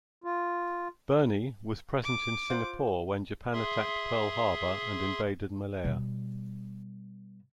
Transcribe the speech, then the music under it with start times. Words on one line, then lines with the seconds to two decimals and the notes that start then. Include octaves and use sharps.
"Burnie" was present in Singapore when Japan attacked Pearl Harbor and invaded Malaya.
0.24 F4
2.04 D6
2.50 F4 C5 F#5
3.53 G#4 E5 C6
5.84 B2 G3